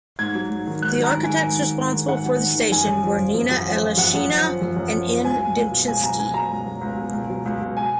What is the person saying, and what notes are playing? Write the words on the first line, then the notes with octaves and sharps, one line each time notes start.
The architects responsible for the station were Nina Aleshina and N. Demchinsky.
G#2 G#6
F#3
G#2
D#3
G#2 F#6
F#3
A#5
G#2
G#5
D#3
G#2
F#3
G#2
D#3
G#2 F#5
F#3
G#2
D#3
F#2 G#5
F#2
F3
F3
F#2
F#2
F3
F3
F#2 F#5
F#2
F3
F3
F#2
F#2
F3
F3
C#2 G#5
F#3
C#2
B2
C#2 G#5
F#3 A#5
C#2 G#5
B2 A#5
C#2
F#3
C#2
B2
C#2
F#3
C#2
B2
G#5